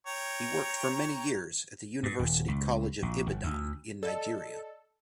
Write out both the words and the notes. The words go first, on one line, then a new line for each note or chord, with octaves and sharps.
He worked for many years at the University College of Ibadan in Nigeria.
C#5 G5 A#5
G2
D#1
C#2
A#1
G1
D2
A4 D5 D#5